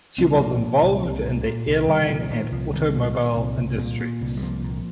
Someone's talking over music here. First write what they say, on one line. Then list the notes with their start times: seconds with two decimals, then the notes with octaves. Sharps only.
She was involved in the airline and automobile industries.
0.18 C2 C4
0.26 A#3
0.33 G3
0.40 A#2 F3 A#3
0.61 A#2
0.82 C2
1.04 C2
1.25 A#2
1.45 A#2
1.67 C2
1.88 C2 D#3 G3
2.02 D#3
2.09 A#2 F3
2.30 A#2 D#3
2.52 C2 F3
2.73 C2 D#3 G3
2.94 A#2
3.15 A#2
3.36 C2
3.58 C2
3.78 A#2
4.00 A#2
4.21 C2
4.37 G3
4.43 C2 F3 A#3
4.64 A#2